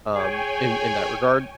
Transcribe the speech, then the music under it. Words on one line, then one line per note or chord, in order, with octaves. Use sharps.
um, in in that regard,
G#4 C#5 G5 G#5